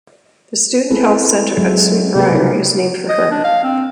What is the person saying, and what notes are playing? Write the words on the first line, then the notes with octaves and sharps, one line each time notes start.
The student health center at Sweet Briar is named for her.
G#3 C4 E4 G#4 A4 B4
F#3 G#3 E5
C3 A#3 C#4 G4 G#4 B4
C#3 G3 D#4 G4 G#4 A#4
D#5
D4
F5
C4